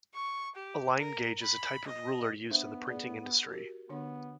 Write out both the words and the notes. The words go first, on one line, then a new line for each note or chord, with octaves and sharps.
A line gauge is a type of ruler used in the printing industry.
C#6
G4
A#4
B5
D#5
B3 D4 C5 E5
G#4 D5
F#4 G4 A#4
D3 B3 D4 C#5